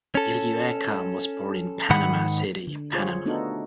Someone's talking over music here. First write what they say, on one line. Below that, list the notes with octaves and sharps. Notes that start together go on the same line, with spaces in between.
Illueca was born in Panama City, Panama.
C#4 A4
G#2 D#3 F#5 B5
D3
F4 G#4 C5 C#5
A3 B3 D4 D#4 F#4 A4